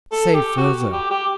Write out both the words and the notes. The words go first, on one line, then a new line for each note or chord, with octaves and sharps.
Say further.
A4
G4
F#4
G4
G4